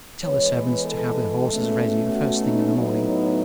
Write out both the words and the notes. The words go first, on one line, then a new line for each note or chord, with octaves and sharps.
Tell the servants to have the horses ready the first thing in the morning.
E3 G#3 B3 C#5
B4
A4
B2 A3 C#4
F#4
D#4
A2 F#3 B3 D#4